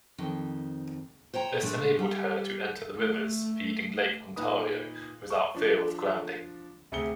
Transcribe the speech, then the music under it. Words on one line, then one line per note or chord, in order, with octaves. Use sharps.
This enabled her to enter the rivers feeding Lake Ontario without fear of grounding.
F2 D#3
C5 C#5 G5 A#5
A#2 G#3 A3 D4
G3
A3
A#2 D#4 B4 D#6
C#6
F3 D4
D2 C3 G#4 C#7 G7